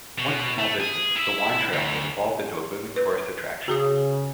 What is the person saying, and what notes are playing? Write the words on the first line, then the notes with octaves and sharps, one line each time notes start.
Once a small business, the wine trail has evolved into a booming tourist attraction.
B2
A3
G#4
E4 E5
D2
B4
C#3 F#4 G#4 D#6